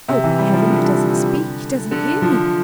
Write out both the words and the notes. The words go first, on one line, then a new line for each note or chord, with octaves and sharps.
Oh, Heaven! he doesn't speak--he doesn't hear me!
C3
E3
G3
F3
D3
D3
F3